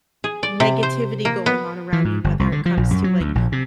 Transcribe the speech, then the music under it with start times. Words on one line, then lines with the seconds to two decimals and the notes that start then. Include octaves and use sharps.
negativity going on around me, whether it comes to, like,
0.24 G#4
0.43 D5
0.60 C3
0.83 C5
1.25 A#3
1.46 B3
1.93 E3
2.05 G#2
2.24 G1
2.39 C2
2.52 D3
2.66 F3
2.77 A#1
2.91 F#2
3.04 F#3
3.20 D2
3.35 A#1
3.52 C3